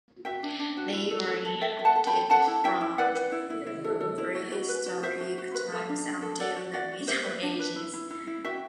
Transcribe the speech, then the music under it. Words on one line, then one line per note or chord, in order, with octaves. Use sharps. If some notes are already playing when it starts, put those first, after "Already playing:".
They were inhabited from prehistoric times until the Middle Ages.
F#4 E5 G5
D4
D4
F#4
E4
A4
A4
A4
A4 E5 G5
A4
F#5 A5
A4
G5 B5
A4
A4 F#5 A5
E4
E4 E5 G5
E4
B4 D5 F#5
B4
E4
E4
E4
A4
A4
E4
F#4
F#4
B4
F#4
F#4 C5 E5
F#4
F#4
B4
A4
D4
D4
A4
A4 D5 F#5
F#4
F#4 D5 F#5
F#4
G4 C5 E5
B4
D4
B4
E4
E4
E4
E4
F#4 E5 G5